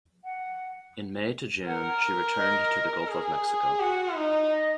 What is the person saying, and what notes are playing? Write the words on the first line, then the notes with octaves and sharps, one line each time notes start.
In May-June, she returned to the Gulf of Mexico.
F#5
A#4 F#5
D#5
G#4
F#4 F#5
D#4
D#5